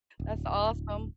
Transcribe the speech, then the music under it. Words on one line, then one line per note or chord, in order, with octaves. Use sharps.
That's awesome.
D1